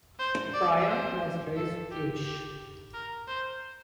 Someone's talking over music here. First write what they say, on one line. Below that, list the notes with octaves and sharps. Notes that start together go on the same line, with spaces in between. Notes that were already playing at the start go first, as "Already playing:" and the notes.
Bryan was raised Jewish.
C5
D5
C5
A4
G4
G4
A#4
C5